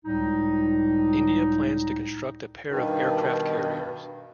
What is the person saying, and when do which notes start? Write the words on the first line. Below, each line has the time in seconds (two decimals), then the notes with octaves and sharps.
India plans to construct a pair of aircraft carriers.
0.05 C#2 A2 G3 D#4
2.67 G2 B2 D#3